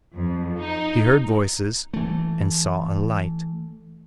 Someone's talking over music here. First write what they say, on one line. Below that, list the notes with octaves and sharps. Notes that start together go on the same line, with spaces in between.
He heard voices and saw a light.
F2
D#4
E3 A3